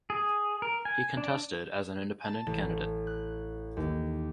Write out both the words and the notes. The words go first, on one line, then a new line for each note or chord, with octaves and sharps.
He contested as an independent candidate.
G#4
A#4
G#5
D4
A5
A1
F#6
D#2